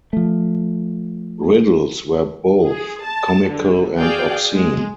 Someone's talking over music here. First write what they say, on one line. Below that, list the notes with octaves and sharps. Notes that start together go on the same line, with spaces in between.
Riddles were both comical and obscene.
F3 A3
G#4
A5
D3
F#4 G#4 D5 F5 G5
G#3